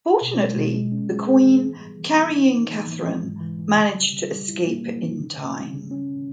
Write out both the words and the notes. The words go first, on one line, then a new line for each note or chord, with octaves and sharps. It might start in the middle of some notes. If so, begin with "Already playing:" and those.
Fortunately, the Queen, carrying Katherine, managed to escape in time.
B2
G#3
B2
G#3
C#4
G#4
G#4
E3
B3
G3
E3
B3
D#4
A#3
E3
E3
G#3
G#2
E3
E3
C#3
G3
C#3
G3
E4
A#3
A#3
E3
C#3
C#3
G3
C#3
C#4